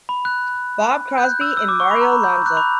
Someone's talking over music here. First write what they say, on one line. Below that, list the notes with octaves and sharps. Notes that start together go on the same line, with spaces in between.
Bob Crosby and Mario Lanza.
B5
F#6
G6
F#6
E6
E6
D6
C#6
B5
A#5
B5
G6
F#6
B5